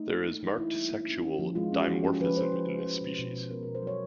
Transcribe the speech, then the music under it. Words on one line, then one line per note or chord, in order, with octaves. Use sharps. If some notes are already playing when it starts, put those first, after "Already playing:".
There is marked sexual dimorphism in this species.
Already playing: A3 D#4
A#3
A#3
E3 D#4
E3 E4
G3
A#3
C#4
C#4
F3
G#3 F4
C#4
F#4
F3
C#4 G4
F3 B4
C#4 C5
F3
F3
C#4
B2
B2
B2
B3 A#4
B2 A#4
C5
F#3 C#5